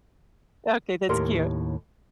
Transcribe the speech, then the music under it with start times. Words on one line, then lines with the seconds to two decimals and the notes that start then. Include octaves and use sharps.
Okay. That's cute.
1.09 D#2 A2 G4 A#4 C6